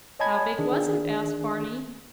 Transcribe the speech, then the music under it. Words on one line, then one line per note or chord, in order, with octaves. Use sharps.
"How big was it?" asked Barney.
C#5 D#5 G#5 A5 B5 G#6
D#3 D4 G#4